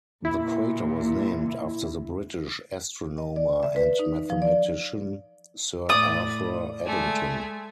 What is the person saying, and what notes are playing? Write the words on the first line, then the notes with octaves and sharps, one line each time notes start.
The crater was named after the British astronomer and mathematician Sir Arthur Eddington.
A#2 E4
D#5
D5
E5
B4
D#4
F3
D5
A2 D5 D#6
G#3 A3 G#5